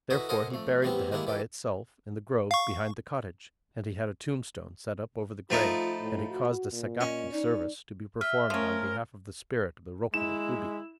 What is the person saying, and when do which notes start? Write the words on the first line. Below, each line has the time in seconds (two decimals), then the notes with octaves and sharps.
Therefore he buried the head by itself, in the grove behind the cottage; and he had a tombstone set up over the grave; and he caused a Segaki-service to be performed on behalf of the spirit of the Rokuro-Kubi.
0.10 E4 F#4 A4 B4 D#5 E5
0.29 A4 A#4 C5 D#5 F#5 G#5
0.50 F2 A3
0.82 A1 E2 G3 B3 C4 G4
1.12 D#3 G3 G#3 A#3 D4 E4
1.27 E3 G4 A4
2.51 F5 C#6
5.50 F3 A3 D#4 F4 B5
6.01 A2
6.31 F#4
6.73 A#2
7.01 C#4 D#5
7.32 D#4 D5
8.21 E5 F6
8.50 F3 A3 C#4 A#4
10.14 G#3 E4 E7